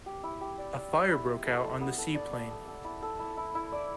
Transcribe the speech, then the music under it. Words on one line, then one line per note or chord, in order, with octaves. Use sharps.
A fire broke out on the seaplane.
G4
E4
G4
D5
D5
D5
E4
E4
A4
A4
B3
A4
D5
D5
A4
A4
E4
A4
E4
E4
E4
D5